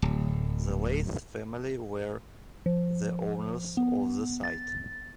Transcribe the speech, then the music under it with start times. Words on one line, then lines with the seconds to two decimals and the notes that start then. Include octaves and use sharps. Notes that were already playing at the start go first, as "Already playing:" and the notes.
The Leith family were the owners of the site.
0.02 D1
2.66 F3
3.77 B3
4.44 A6